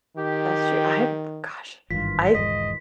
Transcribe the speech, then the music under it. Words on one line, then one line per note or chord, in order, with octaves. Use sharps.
That's true. I have gosh, I
D#3 G4
G#1 G2 D#3 E3 F4 B6
E1 G#2 G#3 D#5 B6